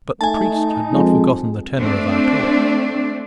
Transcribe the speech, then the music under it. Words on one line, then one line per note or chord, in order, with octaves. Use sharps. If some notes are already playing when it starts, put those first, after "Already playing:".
But the priest had not forgotten the tenor of our talk.
A3 D#4 G#5 A5
F2 G#3
A3 C4 D4